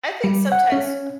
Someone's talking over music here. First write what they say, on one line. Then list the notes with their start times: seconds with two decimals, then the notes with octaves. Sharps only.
I think sometimes
0.24 G3
0.52 F#5
0.72 C#4